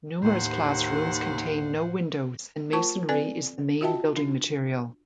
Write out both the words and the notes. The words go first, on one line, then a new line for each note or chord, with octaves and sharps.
Numerous classrooms contain no windows and masonry is the main building material.
D#2 A2 C5 F#5
A3 F4 A#4 C5 A5 C#6
C4 A4 B4 D5 G#5
F4 F#4 D#5 E5 G5 A5
D4